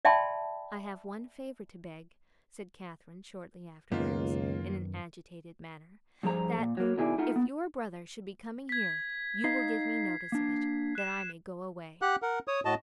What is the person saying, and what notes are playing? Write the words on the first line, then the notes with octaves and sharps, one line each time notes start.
"I have one favour to beg," said Catherine, shortly afterwards, in an agitated manner, "that, if your brother should be coming here, you will give me notice of it, that I may go away."
D5 E5 G5 A5 B5 C6
C#2 F#2 D#3 A#3 B3 F4
G2 F3 G#4 C5 A#5
A#2
F#3 A#3
B2 D#3 E4 G#4 D5 G#5
A3 D#4 F4 F#5
B3
G#6 B6
D#4 D#5 F5 C7
A#3 D4
F#6 E7
G4 F#5 F#6
A#4 F#5
C#5 D#6
A2 F#4 D#5 A5